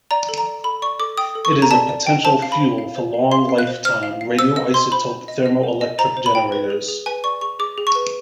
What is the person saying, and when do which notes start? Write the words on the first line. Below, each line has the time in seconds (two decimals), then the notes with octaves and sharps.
It is a potential fuel for long-lifetime radioisotope thermoelectric generators.
0.11 D5 A#5
0.29 A4
0.38 A#5
0.47 D5
0.64 A4 B5
0.82 D5 C#6
0.99 A4 D6
1.17 G5 D#6
1.35 A4
1.45 C#6
1.53 A4
1.62 A#5
1.71 D5 A5
1.89 D5
2.07 G5
2.25 C5 A5
2.42 F5
2.52 B5
2.60 C5
2.78 F5
2.96 C5
3.14 F5
3.32 F5 C6
3.49 F5
3.58 F#6
3.67 C5
3.85 C5 F6
4.03 F5
4.21 F5
4.39 C5 E6
4.56 D#5 E6
4.74 C5 C6
4.92 C5 B5
5.10 C5
5.28 D#5
5.46 D#5
5.63 C5
5.81 D#5
5.98 C5 A#5
6.17 C5
6.26 B5
6.35 G5
6.52 B4
6.70 G#4
6.88 G#4
7.06 B4 G#5
7.24 D5 C#6
7.41 G#4 C#6
7.59 G#4 D6
7.78 G#4
7.87 C#6
7.95 B4